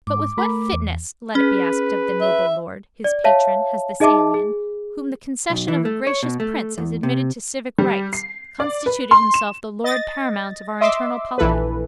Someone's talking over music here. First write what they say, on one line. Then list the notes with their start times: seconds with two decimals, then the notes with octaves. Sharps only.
But with what fitness, let it be asked of the noble lord, his patron, has this alien, whom the concession of a gracious prince has admitted to civic rights, constituted himself the lord paramount of our internal polity?
0.07 G#2 D6
0.37 A3 A#4 B5
0.73 E2
1.35 C#4 G#4 B4
2.21 E5
3.04 D5
3.24 C#5 E5 F5 A5
4.00 D#4 G#4 D#5 E5 A5 D6
4.34 G#4
5.50 B1
5.68 E3
5.85 A3
6.07 C#5
6.23 B2
6.40 A3
6.78 E2
7.03 C3
7.78 G3
8.13 C7
8.60 D5
8.86 B4
9.11 C6
9.34 E7
9.84 D#5 A6 A#6
10.80 D#5 E5 C6 D6 E6
11.38 A#1 E3 A4 B4